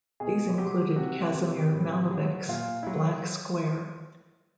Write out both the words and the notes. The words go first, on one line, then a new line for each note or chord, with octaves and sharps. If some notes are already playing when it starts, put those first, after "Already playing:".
These included Kazimir Malevich's "Black Square".
B2 G#4
F#3 G4
C3 F#4
C3
A2
F#3
A#2 F4
E4
F#3 F4